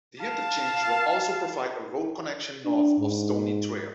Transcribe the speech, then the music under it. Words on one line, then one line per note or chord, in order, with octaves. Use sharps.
The interchange will also provide a road connection north of Stoney Trail.
F5 A5
D4
G#2